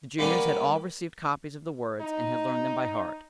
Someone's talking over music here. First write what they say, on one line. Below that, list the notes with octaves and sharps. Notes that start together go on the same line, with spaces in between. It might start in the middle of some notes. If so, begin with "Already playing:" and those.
The juniors had all received copies of the words and had learned them by heart.
G3 A#3 B3 C#4 A#4 D5
D#4